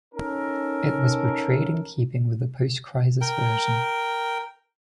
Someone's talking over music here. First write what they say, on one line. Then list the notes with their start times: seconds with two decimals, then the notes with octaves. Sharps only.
It was portrayed in keeping with the post-Crisis version.
0.14 C#4 D#4 A4 A#4
3.21 A#4 G5